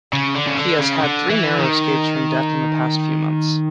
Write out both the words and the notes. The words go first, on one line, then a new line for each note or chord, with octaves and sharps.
He has had three narrow escapes from death in the past few months.
C#3
D3
C#3
D3
C#3
D3
E3
D#3